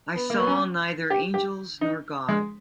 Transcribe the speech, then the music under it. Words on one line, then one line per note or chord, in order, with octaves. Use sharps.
I saw neither angels nor God.
B3
A#3
B3
C#4
G4
G4
D#4
G#3